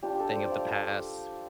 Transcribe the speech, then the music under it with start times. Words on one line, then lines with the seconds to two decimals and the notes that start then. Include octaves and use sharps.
thing of the past.
0.03 G3 D4 F4 G4
0.19 A4
0.29 D5
0.35 C5
0.52 F5